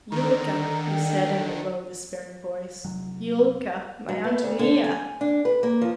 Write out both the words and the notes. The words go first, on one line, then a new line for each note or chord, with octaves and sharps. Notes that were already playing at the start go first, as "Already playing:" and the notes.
"Yulka," he said in a low, despairing voice, "Yulka; my Antonia!"
D3 D#3 A#5
G5
F1 F#3
F#3
B3
D2
D3
G#5
D4
B4
A#3
F3